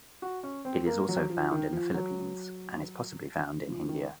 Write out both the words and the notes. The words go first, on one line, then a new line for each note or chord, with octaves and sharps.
It is also found in the Philippines and is possibly found in India.
F#4
C#4
C4
A#3
F#3
F3
D#3
F3
F#3
F3
D#3